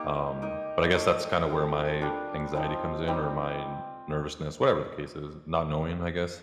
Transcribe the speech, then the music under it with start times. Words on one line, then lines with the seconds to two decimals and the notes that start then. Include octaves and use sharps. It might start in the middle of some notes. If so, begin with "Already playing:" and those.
Um, but I guess that's kinda where my anxiety comes in or my nervousness, whatever the case is, not knowing, I guess.
Already playing: A#3 D#4 G4
0.42 D#4 A#4 D#5
0.94 A3 D#4 A#4 D#5
1.49 F3 C4 F4 A4
2.01 G3 D4 F4 A#4
2.55 F3 C4 D#4
3.08 G3 C4 D#4